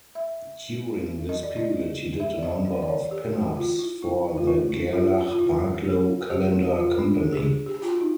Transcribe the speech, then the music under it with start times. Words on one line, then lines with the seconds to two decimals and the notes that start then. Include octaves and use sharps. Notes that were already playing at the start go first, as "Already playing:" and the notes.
During this period, he did a number of pin-ups for the Gerlach-Barklow calendar company.
0.15 E5
1.29 D#5
1.43 D5
1.57 D#5
2.20 E5
2.38 D5
2.43 D#5
2.65 D5
2.82 D5
2.88 C#5
3.11 G4
3.33 F#4
3.57 F4
3.79 E4
4.02 E4
4.38 F4
4.47 E4
4.93 F4
5.32 F4
5.39 E4
5.84 G4
6.30 G4
6.52 F#4
6.75 F4
6.98 D4
7.20 G#4
7.32 G4
7.44 G#4
7.66 G4
7.82 F4
7.89 F#4
8.01 D#4